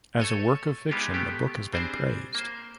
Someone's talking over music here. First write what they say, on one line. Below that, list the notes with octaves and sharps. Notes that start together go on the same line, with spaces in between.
As a work of fiction, the book has been praised.
A3 A4 C#5 D#5
G3 G#3 B3 D#4 F4 G4
A3 B3 G4
G3 C4 D4 G#4 C5
A#3 C5